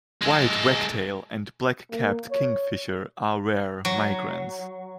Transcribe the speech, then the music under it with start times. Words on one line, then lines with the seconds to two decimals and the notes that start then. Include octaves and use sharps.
White wagtail and black-capped kingfisher are rare migrants.
0.21 G#3 A4
1.91 A#3
2.31 C#5
3.85 F#3